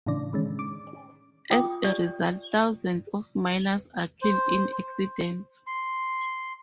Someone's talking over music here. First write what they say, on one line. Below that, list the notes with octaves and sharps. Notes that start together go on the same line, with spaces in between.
As a result, thousands of miners are killed in accidents.
A2 C#3 E3 D4 D5
D#3 G#3 C#4
D6
F4 G5 D6 D#6
G4 D5
C5
C6